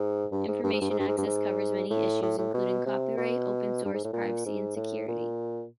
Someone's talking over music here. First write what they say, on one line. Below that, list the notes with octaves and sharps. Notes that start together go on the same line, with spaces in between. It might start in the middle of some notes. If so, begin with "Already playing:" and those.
Information access covers many issues including copyright, open source, privacy, and security.
Already playing: G#2
G2
G#2
G2
G#2
G2
G#2
G2
G#2
G2
G#2
A2
A2
A2
B2
C3
B2
G2
G#2
A2
A#2
G#2
A2
A#2